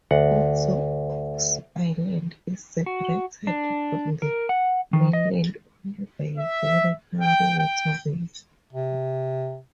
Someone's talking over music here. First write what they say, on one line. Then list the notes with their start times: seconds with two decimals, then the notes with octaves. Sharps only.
Also Ox Island is separated from the mainland only by a very narrow waterway.
0.11 D2 F#5
2.86 F#4
3.47 D4
4.22 A#4
4.49 F#5
4.93 D#3
5.13 D#5
6.38 E5
7.20 G5
7.58 G5
8.73 C3